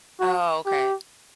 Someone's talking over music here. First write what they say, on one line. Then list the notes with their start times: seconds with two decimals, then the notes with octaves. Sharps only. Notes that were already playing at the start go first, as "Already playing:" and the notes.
Oh, okay.
0.20 F#4
0.66 G4